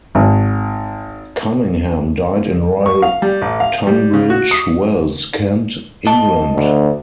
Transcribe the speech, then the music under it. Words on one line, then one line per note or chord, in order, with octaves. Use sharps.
Cunningham died in Royal Tunbridge Wells, Kent, England.
G#1
C#6
F5
G3
A1
F5
G3
C#3
F#4
D#6
D#5 A5
D2